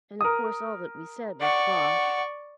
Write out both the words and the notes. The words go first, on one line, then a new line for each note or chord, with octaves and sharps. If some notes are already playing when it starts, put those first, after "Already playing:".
And of course all that we said was bosh.
A#4 D#6
D5 F#5 C#6